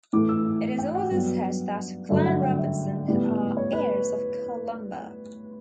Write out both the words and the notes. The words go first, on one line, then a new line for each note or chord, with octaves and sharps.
It is also said that Clan Robertson are heirs of Columba.
A2 E3 A3 D6
E6
G5
F#5
G2 F#3 B3
G2 D3 F#3 A3 E5
F#5
G5
E5
A2 G3 B3 D5
C#5
B4